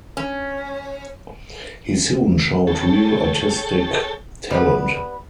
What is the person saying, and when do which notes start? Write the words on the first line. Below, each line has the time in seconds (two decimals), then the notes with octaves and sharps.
He soon showed real artistic talent.
0.17 C#4
2.67 G#4 A4 C#5 G5 A5
4.50 G3 B3